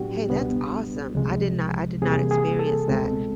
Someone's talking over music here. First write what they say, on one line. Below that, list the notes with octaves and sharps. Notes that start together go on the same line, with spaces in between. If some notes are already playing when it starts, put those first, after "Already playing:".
Hey, that's awesome. I did not I did not experience that.
Already playing: A2 F#3 B3 D4 F#4 G4
C#2 B2 G3 B3 D4
C#2 C3 F3 G#3
E2 C3 E3 G3 A#3 G#4
G#4
A4
C#2 B2 G#3 C4